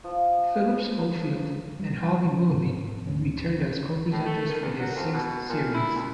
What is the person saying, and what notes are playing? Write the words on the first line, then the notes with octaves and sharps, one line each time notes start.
Phillip Schofield and Holly Willoughby returned as co-presenters for their sixth series.
F3
G3
G#2 D3
D1 D3 A3 C#4
A2
A3
D#3
E2
F#3
F2
B2
A#2
E4
C#2